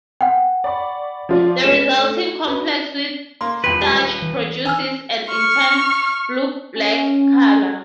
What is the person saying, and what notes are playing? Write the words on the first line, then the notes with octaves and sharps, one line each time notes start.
The resulting complex with starch produces an intense "blue-black" colour.
F#5 G5
D5 B5 C#6
F3 F4 D5
G#3 B3 E7
A3
F#4 B4
A#3 C6
D#1 E2 B4 G5 C6
G#3 G4 G5
E3
G#5 E6 F6
C#6 F6
C#4